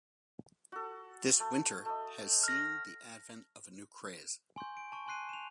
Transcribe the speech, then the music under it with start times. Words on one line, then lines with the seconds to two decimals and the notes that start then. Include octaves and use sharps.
This winter has seen the advent of a new craze.
0.72 F#4 A4
1.40 A3
1.86 A3 D#5
2.43 F6 A#6
4.56 G#5 C6 C#6 G6
4.77 D7
4.92 A5 C#6
5.06 G#5 A5 C6 F#6 C7 D#7
5.29 E7 F7